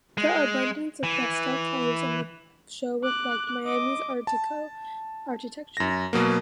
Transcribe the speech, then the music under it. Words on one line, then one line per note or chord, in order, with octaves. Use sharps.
The abundance of pastel colors on the show reflected Miami's Art-deco architecture.
G#3
E3
D6 F#6
D#5 D6
A5
F#2 A#6
B2 F#3 A#3